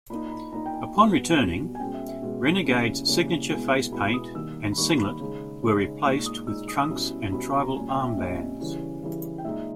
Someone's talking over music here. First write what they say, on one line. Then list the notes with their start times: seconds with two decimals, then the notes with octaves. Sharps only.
Upon returning, Renegade's signature facepaint and singlet were replaced with trunks and tribal armbands.
0.10 A#2 A#3 D#4 B5
0.27 A#5
0.32 B5
0.52 A#2 A#3 D#4 A#5
0.66 G5
0.74 G#5
0.95 B2 G3 B3
1.37 B2 G3 B3
1.75 G#5
1.80 B2 G#3 C#4 G5
1.94 E5
2.08 E5
2.22 B2 G#3 C#4
2.65 C#3 G3 A#3 C#4 E4
3.08 C#3 G3 A#3 C#4 E4 C#5
3.50 B2 G#3 B3 E4 G#5
3.92 B2 G#3 B3 E4 B5
4.14 D#6
4.35 D#3 G3 A#3 D#4 E6
4.72 B5
4.78 D#3 G3 A#3 D#4 C#6
4.98 B5
5.20 C#3 G#3 D#4
5.62 C#3 G#3 D#4
6.05 A#2 G#3 D#4 C#6
6.26 D#6
6.47 A#2 G#3 D#4 E6
6.68 D#6
6.76 E6
6.83 D#6
6.90 B2 G3 C#4 E4
7.32 B2 G3 C#4 E4 B5
7.54 A#5
7.75 A#2 G3 C#4 G#5
7.89 G5
8.03 E5
8.17 A#2 G3 C#4 D#5
8.60 C#3 E3 G3 C#4 E4
9.02 C#3 E3 G3 C#4 E4
9.38 G5
9.45 A#2 G#3 D#4 E5